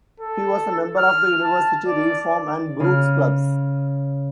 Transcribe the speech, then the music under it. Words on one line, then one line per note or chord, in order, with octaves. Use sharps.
He was a member of the University, Reform, and Brooks's Clubs.
A4
F6
A5
D5
C#3 F6